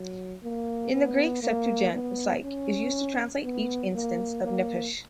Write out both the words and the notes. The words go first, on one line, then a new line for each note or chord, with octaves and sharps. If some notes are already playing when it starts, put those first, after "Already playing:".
In the Greek Septuagent psyche is used to translate each instance of nephesh.
Already playing: F#3
A#3
B3
A#3
B3
C#4
B3
A#3
A#3